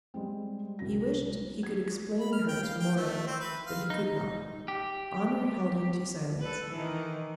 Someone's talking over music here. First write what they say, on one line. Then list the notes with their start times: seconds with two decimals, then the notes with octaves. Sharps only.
He wished he could explain her to Moray, but he could not. Honor held him to silence.
0.14 G3 G#3 C4
0.79 C2 C3 F#3 A#6
1.63 G#6
2.20 B5
2.32 F6
2.48 G5
2.63 F5
2.80 G5
2.97 A3
3.27 C4
3.40 B4
3.66 F5
3.90 D#4
4.68 G4
6.40 A4 B4
6.71 D#3 E3